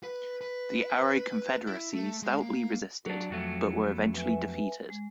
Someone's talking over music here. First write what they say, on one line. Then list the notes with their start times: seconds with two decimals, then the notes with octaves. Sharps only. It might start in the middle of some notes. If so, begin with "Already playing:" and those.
The Aro Confederacy stoutly resisted but were eventually defeated.
0.03 B4
0.41 B4
1.67 E4
1.93 A3
2.22 G#3
2.40 A#3
3.06 F#3 D4
3.30 F2 F#3 A3
3.80 B3
4.15 B4 E5 G#5
4.90 G#3